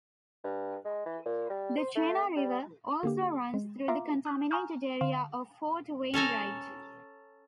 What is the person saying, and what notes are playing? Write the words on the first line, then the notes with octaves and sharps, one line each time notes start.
The Chena River also runs through the contaminated area of Fort Wainwright.
G2
G#3
E3
A#2
G3
C5
A3
G3
D3 A#3 G4
G#3
F4 E5 F5 A#5 C6 D6
D#6 F#6 G6
G#5 A#5 C#6 D#6 F6 G6
D3 F5 C6
C#4 A4 G#5 A#5